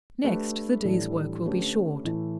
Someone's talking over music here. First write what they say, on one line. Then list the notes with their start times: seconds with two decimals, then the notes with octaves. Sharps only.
Next, the day's work will be short.
0.24 A3 D4 G4 B4
0.84 A2 E3 G3 D4 A4
1.44 D3 A3 C#4 G4 B4
2.04 A2 E3 A3 E4